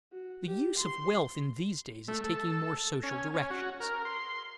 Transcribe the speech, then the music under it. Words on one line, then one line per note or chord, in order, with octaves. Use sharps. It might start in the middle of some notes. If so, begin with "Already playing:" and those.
The use of wealth in these days is taking more social directions.
F#4
G4
C6
A3
A4
C#4
C#4
F#4
A#4
C6